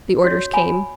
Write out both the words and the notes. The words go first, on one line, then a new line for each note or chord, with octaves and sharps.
The orders came.
F#4 C#5
G#5 B5